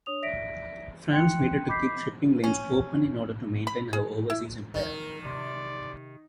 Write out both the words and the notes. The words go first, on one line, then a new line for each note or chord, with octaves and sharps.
France needed to keep shipping lanes open in order to maintain her overseas empire.
D4 C#5 D#6 F7
D5 E5 A#6 B6 D7
G5 C6 F#6 C#7
D#5 B5 D6 G6 B6 C7
C#4
B5
G#4
E4
D#3 A#4
C3 D5 C6